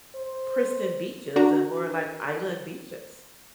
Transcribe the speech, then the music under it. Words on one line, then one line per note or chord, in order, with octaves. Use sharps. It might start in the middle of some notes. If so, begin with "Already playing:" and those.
pristine beaches and more, like, island beaches."
C5
D4 F#4 A#5